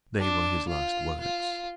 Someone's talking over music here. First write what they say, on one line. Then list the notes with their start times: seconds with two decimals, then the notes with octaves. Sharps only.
They were his last words.
0.19 D4
0.69 F4
1.20 F4